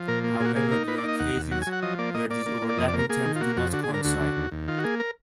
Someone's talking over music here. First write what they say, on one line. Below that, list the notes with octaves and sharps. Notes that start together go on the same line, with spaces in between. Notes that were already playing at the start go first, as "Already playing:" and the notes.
However, there are cases where these overlapping terms do not coincide.
Already playing: F3
A#2 A#4
A#3
F4
A#2 G#4
F#4
A#3 G#4
D#4 A#4
A#3 B4
D5
D#4 D#5
D#2 F#5
D#2
F#3 F#5
G#5
F#3
F#5
F3 D#5
A#3 D5
A#3 D#5
A#3 D5
A#3
A#3
D5
F2 D#5
D5
A#3
A#4
A#3 G#4
D#3
F4
A#3 F#4
F2 F#4
D3 F#4
G#4
D3
A#4
D2 F#4
D3
D#2
D#2
D#3 F4
F#4
A#3 G#4
A#4